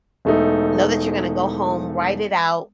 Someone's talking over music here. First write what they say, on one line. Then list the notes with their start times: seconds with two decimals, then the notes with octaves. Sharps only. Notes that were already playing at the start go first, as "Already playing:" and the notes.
know that you're gonna go home, write it out,
0.25 E1 A3 D#4